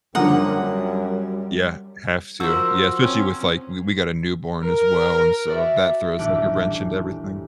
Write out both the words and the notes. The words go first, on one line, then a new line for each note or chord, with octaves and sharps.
Yeah. Have to. Yeah, especially with, like we we got a newborn as well and, so, that throws like a wrench into everything.
F#2 D3 F3 G3 A#3 F#5 A#5 D#6
F3 F#4 A#4 E6
C4 C#4
A#4
F#4 D5 E5
D#1 A1 A3 D4 G4 D7